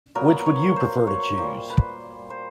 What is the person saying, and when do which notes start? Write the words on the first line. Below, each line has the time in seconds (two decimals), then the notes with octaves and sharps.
Which would you prefer to choose?
0.15 A#2 F#3 B3 A#4
0.46 C#5
0.76 C5
1.07 C#5
1.38 A#2 G3 A#3 C5
1.70 B4
1.79 C5
2.30 C5